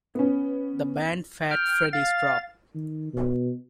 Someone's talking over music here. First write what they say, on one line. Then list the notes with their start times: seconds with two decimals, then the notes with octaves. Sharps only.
The band Fat Freddy's Drop.
0.15 B3 C#4
1.51 G5 F6
1.93 F5 A6
2.75 D#3
3.13 B2